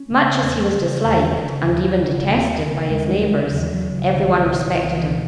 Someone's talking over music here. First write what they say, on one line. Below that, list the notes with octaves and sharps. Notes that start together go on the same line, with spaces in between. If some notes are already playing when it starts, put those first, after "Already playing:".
Much as he was disliked, and even detested, by his neighbors, everyone respected him.
Already playing: C#4
C#3
E2
C#3
E2
C#3
D#2
C#3
D#2 A#3
C#3
D#2 G#3
C#3
D#2 F#3
E3
F#3
C#3
C#2 D#3
B2 D#3
C#2 E3
B2